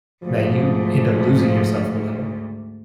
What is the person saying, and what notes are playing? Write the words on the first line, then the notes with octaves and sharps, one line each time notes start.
that you end up losing yourself a little.
D2 G#2 F3